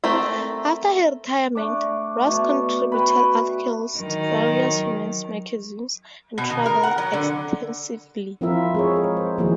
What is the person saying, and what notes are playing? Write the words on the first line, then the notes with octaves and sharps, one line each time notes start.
After her retirement, Ross contributed articles to various women's magazines and traveled extensively.
A3 C4 A#4 E5
A3 D4 D6
B2 A3
B4 G5 B5
D#3 F#3
B2
D#3
A#4
F#5
F#3
D3
F3 C4 E4 F4 A#4 E5
G#3 G#4 C#5
A#4
C5
D#3 F3 A#3 E4 F#4 G#4